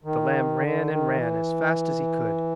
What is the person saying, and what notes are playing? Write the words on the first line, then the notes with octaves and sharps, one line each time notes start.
The lamb ran and ran as fast as he could.
D#3
D3
D#3
E3